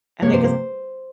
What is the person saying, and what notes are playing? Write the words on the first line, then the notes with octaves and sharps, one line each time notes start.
And I guess
C3 F3 A#3 C#5
C5
C5